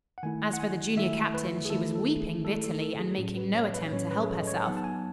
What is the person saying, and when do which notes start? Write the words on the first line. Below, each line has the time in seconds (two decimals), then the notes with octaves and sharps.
As for the junior captain, she was weeping bitterly, and making no attempt to help herself.
0.18 F#5
0.23 D#3 A3 E4 G#5
0.53 F#5
0.59 G#5
0.97 D#3 A3 E4 E5
1.34 B4
1.65 G#4
1.70 D#3 A3 E4 A4
1.95 A4
2.21 G#4
2.45 D#3 A3 E4 A4
2.64 A4
2.82 A4
2.99 G#4
3.18 A2 F#3 C#4
3.37 B4
3.56 C#5
3.74 B4
3.92 A2 F#3 C#4 C#5
4.11 B4
4.22 G#4
4.30 A4
4.40 D#5
4.47 C#5
4.66 F#3 B3 D#4 F#5
4.77 A5
4.84 G#5